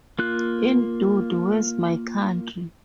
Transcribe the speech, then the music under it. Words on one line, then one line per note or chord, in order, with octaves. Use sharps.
In Dude, Where's My Country?
A#3 F4 F#6